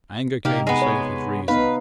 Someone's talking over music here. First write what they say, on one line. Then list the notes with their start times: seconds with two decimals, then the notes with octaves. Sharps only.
Anger came to save his reason.
0.45 C3 A#3 D#4 G4
0.67 G#3 B3
0.82 C#5
1.48 B3 D#4 B4 F5